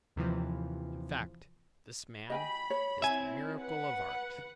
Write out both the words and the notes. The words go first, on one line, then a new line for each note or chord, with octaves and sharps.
In fact, this man is the miracle of art.
D#2 C3 E3 F3
D#5 G5 G#5 B5
C#5
C4 E4 E5 G#5
B4 F#5